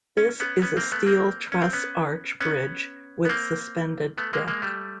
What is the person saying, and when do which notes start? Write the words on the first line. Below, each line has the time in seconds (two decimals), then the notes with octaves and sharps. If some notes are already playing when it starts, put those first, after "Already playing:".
This is a steel truss arch bridge with suspended deck.
0.17 C#4
0.40 B3 C#4
0.62 B3 C#4
0.77 A#3 C4
0.92 A3 B3
1.06 A#3 C4
1.52 C#4
1.62 C4
1.73 B3 C#4
2.41 B3 C#4
3.25 B3
3.29 A#3 C4
4.18 A3 B3
4.33 G#3 A#3
4.48 G#3 A#3
4.62 G3 A3